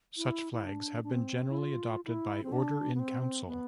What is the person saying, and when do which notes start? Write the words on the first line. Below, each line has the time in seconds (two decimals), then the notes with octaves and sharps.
Such flags have generally been adopted by Order in Council.
0.17 E4
0.53 E4
0.65 D4
1.04 D4
1.11 C4
1.50 E4
1.58 F4
2.06 E4
2.44 C4
2.52 D4
2.95 B3
2.99 C4
3.47 B3